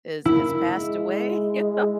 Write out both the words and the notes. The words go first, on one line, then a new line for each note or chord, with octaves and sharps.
is has passed away, you know,
A#3 E4
G#3